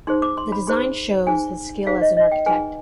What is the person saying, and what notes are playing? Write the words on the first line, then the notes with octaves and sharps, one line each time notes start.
The design shows his skill as an architect.
D#4 G#4 C5 C6
D6
C6
B5
D#4 G#4 C5 C6
D#4 G#4 C5 G#5
D#4 G#4 C5 F5
D#5
D#5
G5
D#4 G#4 B4 G#5